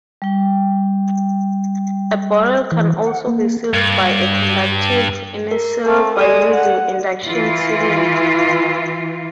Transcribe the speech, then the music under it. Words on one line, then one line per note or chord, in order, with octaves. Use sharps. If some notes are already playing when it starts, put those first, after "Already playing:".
A bottle can also be sealed by a conductive "innerseal" by using induction sealing.
G3 G5
E3
F#5
A#3
G2
A#4
A3 C4
G#3 A4 D5 D#6
F#5
E3 F4